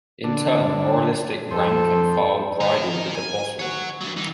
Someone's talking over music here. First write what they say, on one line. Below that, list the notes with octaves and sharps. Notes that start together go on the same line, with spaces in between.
In turn the moralistic rank and file bridled at the boss rule.
D3 D4
F2 A4 C5
D#4 A#4
G#5
C#5 F#5
G2 F#3
E3 D#4